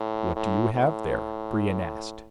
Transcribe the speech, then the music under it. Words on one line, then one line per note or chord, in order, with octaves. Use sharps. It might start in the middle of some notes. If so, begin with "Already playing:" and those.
"What do you have there?" Brion asked.
Already playing: A2
A2
A2